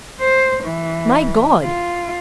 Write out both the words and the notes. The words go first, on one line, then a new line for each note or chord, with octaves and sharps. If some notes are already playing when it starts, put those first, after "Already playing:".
My God!
C5
E3
F4